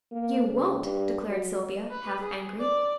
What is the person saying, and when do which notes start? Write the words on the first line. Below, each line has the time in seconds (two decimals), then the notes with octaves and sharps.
"You won't!" declared Sylvia, half angrily.
0.12 A#3
0.49 C#3
0.81 G2
1.28 F#3
1.90 B4
2.22 G#4
2.60 D5